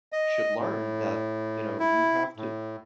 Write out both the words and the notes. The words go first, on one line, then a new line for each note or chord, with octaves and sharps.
should learn, that, you know, you have to
D#5
A2
E4
A2